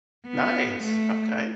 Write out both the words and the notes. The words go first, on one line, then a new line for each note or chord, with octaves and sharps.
Nice, okay.
B3
A3